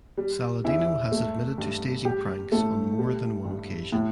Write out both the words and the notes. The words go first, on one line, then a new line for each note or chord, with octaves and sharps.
Saladino has admitted to staging pranks on more than one occasion.
G3
E2 E4
A3
G2
G3 G4
A2 A3 A4
G3
G2
A2